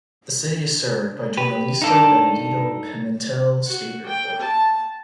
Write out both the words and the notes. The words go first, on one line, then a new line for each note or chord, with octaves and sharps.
The city is served by Jornalista Benedito Pimentel State Airport.
G4 B4
G2 A#3 D4 D#4 A4
F#4
G5
A5